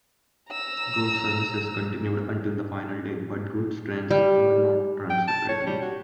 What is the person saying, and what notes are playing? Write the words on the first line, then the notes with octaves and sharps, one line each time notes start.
Goods services continued until the final day but goods trains were not run separately.
A#5 E6
G3
G5
A5
C#5
G3
F#4